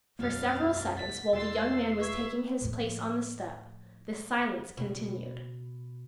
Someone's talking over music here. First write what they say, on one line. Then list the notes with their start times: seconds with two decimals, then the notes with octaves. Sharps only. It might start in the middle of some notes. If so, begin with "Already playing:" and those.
For several seconds while the young man was taking his place on the step the silence continued.
0.19 E1 B1 F#2 A#3 F5 A6
0.97 F#5 A6 B6
1.33 E2 B2 D5 C6 E6 A6 C7
2.00 B4 E5 C#6 G#6
2.61 A2 F3
4.77 B2